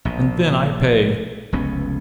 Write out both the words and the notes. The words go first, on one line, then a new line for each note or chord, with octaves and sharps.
And then I pay.
A#1 B2
F1 C#2 B3 C#4